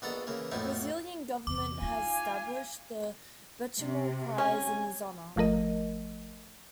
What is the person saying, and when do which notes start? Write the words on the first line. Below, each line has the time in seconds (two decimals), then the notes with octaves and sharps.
The Brazilian government has established the Benchimol prize in his honor.
0.02 A#1 B3 D4 A4 D#5 A#5
0.27 C#3 E3 A#3
0.51 F2 A2 F3 F#3 D#4 E4
1.47 E2 C3 D6
1.82 D#4 F4 F5 G#5
3.81 C3
4.38 C#4 G#5
5.36 G#1 F3 A3 A#4 D#5